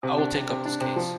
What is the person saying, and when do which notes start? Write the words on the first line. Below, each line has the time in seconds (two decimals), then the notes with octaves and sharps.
I will take up this case.
0.03 C3
0.18 D4
0.34 C3
0.50 C3
0.65 D4
0.81 C3
0.96 F3